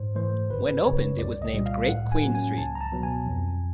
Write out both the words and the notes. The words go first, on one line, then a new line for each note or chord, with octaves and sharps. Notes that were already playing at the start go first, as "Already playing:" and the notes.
When opened it was named "Great Queen Street".
Already playing: G#2 C5
E3 A3 C5
G1 B4
F#2 C#3 C#5
C2 D5
D#5
A#2 G3
F5
A2 F#5
G#5
F#3 A#3 C#4
G#5
C#2 A5
A#5
A5
B2 F#3 B3
G#5
F2